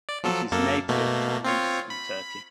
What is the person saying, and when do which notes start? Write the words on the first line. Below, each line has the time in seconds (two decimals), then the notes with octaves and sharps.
It is native to Greece and Turkey.
0.09 D5
0.24 F3 F#3 A4
0.51 F#2 A#3 A4
0.88 B2 A3 A#3
1.44 C4 F4 C#5
1.90 B5